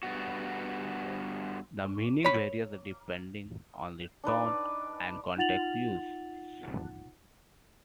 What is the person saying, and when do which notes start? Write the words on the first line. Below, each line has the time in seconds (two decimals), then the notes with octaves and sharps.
The meaning varies depending on the tone and context used.
0.03 G2 B3 F#4
2.25 C#5 B5
4.24 D4 D#4 B4 D5
5.37 D#4 F4 F#5 A6 F7 F#7